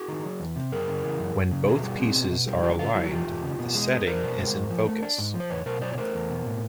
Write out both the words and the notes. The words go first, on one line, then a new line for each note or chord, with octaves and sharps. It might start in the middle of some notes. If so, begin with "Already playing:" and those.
When both pieces are aligned the setting is in focus.
Already playing: F#4 G#4
D#3
F#3
E2
C3
F#2 G#4 A#4
C#3
E3
F#2
F#2
C#3
B2 F#4 G#4
G3
C4
B2
B2
G3
E2 F4 G4
C#3 F4
F#3 E4 F#4
F#4
E2 F4 G4
E2
C#3
B2
G#3
B3
D4 A#4 C5
B2
G#3
G#2
F3
A3
D4
G#2
F3
C5
E2 B4 C#5
B2 A#4 C5
F#3 C5 D5
C#5
A3 A#4 C5
E2
B2
A2